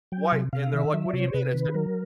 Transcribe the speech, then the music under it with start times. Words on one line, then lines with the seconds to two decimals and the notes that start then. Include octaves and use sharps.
Why, and they're like, "What do you mean?" I said,
0.12 F#3 G5
0.32 C3
0.53 C3 F5
0.73 D#3 E5
0.93 F#3 E5
1.09 D5
1.13 C3 C#5
1.27 C5
1.34 C3 B4
1.54 D#3
1.74 F#3 A#4